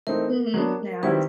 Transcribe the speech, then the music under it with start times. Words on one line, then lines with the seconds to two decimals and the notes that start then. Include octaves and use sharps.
Mhm, yeah, it's
0.07 E3 A3 C4 D#4 A#4
0.54 F#3 B3 D4
1.03 D#3 G3 C4 E4 B4